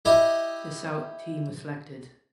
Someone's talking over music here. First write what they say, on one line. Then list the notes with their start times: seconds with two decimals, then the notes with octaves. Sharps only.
The South team was selected.
0.05 E4 G4 D#5